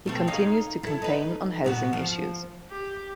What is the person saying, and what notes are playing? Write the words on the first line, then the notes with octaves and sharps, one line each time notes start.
He continues to campaign on housing issues.
B2 A3 C4
D#4 C#5 F5
E4 A4
D#4 B4
A#2 B3 F#4
F3
G4